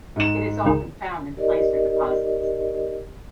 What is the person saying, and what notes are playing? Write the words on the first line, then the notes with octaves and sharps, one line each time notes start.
It is often found in placer deposits.
G#2 E7
C#2 D#3
D#4 G4 A#4 D5 D#5